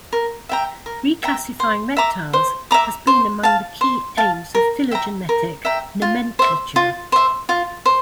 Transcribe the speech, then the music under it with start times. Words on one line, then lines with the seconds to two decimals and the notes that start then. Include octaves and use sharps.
Reclassifying reptiles has been among the key aims of phylogenetic nomenclature.
0.13 A#4
0.49 E5 G5 A#5
0.86 A#4
1.23 E5 G5 A#5
1.60 C5
1.97 E5 A#5 D6
2.33 C5
2.71 E5 A#5 D6
3.07 C5
3.43 F5 A5
3.81 C5
4.18 F5 A5
4.55 A#4
4.91 E5 G5 A#5
5.29 A#4
5.65 E5 G5 A#5
6.02 F4
6.39 C5 E5
6.76 F4
7.12 C5 E5
7.49 F4
7.86 C5